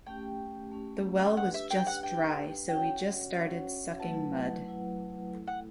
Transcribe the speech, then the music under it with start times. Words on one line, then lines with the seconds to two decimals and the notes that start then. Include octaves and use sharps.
The well was just dry, so we just started sucking mud.
0.07 A3 C#4 G4 G5
0.72 A3 C#4 G4
1.37 D4 G4 B4 F#5
1.54 E5
1.70 G5
1.87 F#5
2.03 D4 G4 B4 G5
2.68 C#4 F#4 C#5 F#5 G5
3.34 C#4 F#4 C#5 F#5
3.99 F#3 A3 E4 B4 F#5 A5
4.65 F#3 A3 E4 B4 F#5
5.31 A3 E4 A4
5.47 F#5